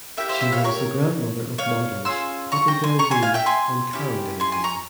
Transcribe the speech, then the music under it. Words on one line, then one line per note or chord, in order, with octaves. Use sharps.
She was the grandmother of models Poppy Delevingne and Cara Delevingne.
A#3 E4 G4 E5 G5
C5 E5
C5 E5
C#5 F5
A#4 C#5
C#5 F5
C#4 F4 G#4 C6 E6
A#5 C#6
G5 A#5
G#5 C6
A#5 C#6
G#5 C6
F5 G#5
E5 G5
G#5 C6
C#4 E4 G4
G#5 C6
G#5 C6
A#5 C#6